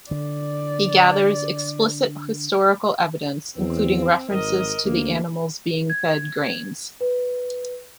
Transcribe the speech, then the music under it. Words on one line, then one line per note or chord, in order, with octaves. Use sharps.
He gathers explicit historical evidence, including references to the animals being fed grains.
D3 D5
E2 C4
G#1 A#4 D#5
D2 A#3
G#6
B4